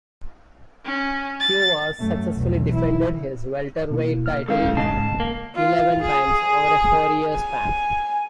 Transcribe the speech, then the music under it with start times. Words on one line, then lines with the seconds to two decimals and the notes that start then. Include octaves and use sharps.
Cuevas successfully defended his welterweight title eleven times over a four-year span.
0.85 C#4
1.40 A6
1.99 F#2 A3
2.33 B1 E2
2.74 E4
3.90 B2 A#3 E4
4.26 A#3 F6
4.48 G#3 C#4 E4 A4 F5
4.77 G#2 C#3 D#5 A5 C7
5.20 A#3
5.55 F4
6.02 G#4
7.34 G#5